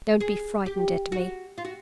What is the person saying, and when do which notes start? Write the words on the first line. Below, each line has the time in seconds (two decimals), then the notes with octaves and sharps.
Don't be frightened at me.
0.20 G#4
0.66 G4
1.12 F#4
1.58 F4
1.65 F#4